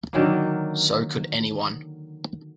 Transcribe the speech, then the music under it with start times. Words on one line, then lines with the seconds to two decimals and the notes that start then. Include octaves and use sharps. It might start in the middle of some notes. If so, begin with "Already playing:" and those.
So could anyone.
0.13 D3 D#3 F#3 A#3